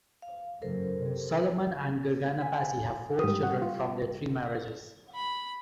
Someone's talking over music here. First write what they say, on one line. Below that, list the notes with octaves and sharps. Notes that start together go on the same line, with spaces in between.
Solomon and Gergana Passy have four children from their three marriages.
F5
F#1 F#2 A4 A#4 C5
C3
G#5 B6
G#2 G3 G4 D#6
F#5 C#6
F4
B5